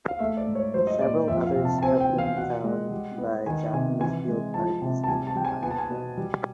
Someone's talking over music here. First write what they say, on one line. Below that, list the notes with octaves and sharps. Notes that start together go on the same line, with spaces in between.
Several others have been found by Japanese field parties in Antarctica.
F5
A3 E5
D5
G#2
C#5
F#3 C5
D#5
A#2 D5
F2 E5
F5
C3
A5
A5
C4 G#5
G5
E3
F5
B2 F#5
G#3
G3
B3
D#3 G#5
C3 G#5
E3 G#5
G#3
F3 A5
C3
A5
G3 G#5
A5
G3 G5
G#5
B3 G#5
A5
G#5
B2
G3